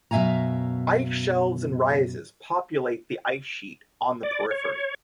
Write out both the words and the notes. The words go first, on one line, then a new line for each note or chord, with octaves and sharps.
Ice shelves and rises populate the ice sheet on the periphery.
F#2 B2 E5 F5 G#5 A#5
D5
C#5